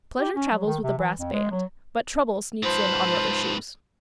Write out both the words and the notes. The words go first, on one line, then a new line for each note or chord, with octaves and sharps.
Pleasure travels with a brass band, but Trouble sneaks in on rubber shoes.
G4
C#4
F#3
D#3
C3
E3
F2
G#3
F#3
G#2 F4 B4 C5 A5